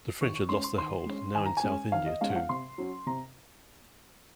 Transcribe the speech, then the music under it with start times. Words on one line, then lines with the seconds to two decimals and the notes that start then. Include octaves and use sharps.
The French had lost their hold now in South India too.
0.20 D#3 C#6
0.35 C#6
0.49 G#3 C#4 C6
0.64 C6
0.78 D#3 C6
1.06 G#3 C#4
1.35 D#3 G#5
1.46 A#5
1.57 G#5
1.64 G#3 C#4
1.92 D#3 F5
2.06 D#5
2.21 G#3 C#4 F5
2.30 F#5
2.36 F5
2.49 C3 C6
2.78 F#3 C#4
3.06 C3 A#5